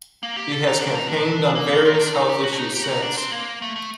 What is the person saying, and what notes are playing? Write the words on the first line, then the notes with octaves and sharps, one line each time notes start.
He has campaigned on various health issues since.
A#3
G4
A4
D#4
D4
D#4
D4
A#3
C4
D#4
D4
D#4
G4
F#4
D4
D#4
G4
F#4
D#4
D4
C4
A#3
A3
A3